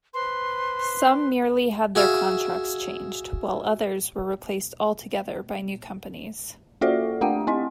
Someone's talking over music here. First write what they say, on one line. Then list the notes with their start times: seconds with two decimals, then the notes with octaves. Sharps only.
Some merely had their contracts changed, while others were replaced altogether by new companies.
0.14 B4 C5 C6
1.95 F#4 G#4 E5 F5
6.81 A#3 F4 F#4 A4 D5 E5
7.21 A3 D4 G4 F#5 G5
7.47 C4 E4 D#5